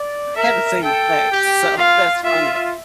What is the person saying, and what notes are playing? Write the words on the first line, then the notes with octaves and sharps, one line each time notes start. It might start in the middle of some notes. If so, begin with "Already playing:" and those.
had the same effect. So, that's funny.
Already playing: D5
A#4 E5
A4 G5
G4
F4 F5
F4 E5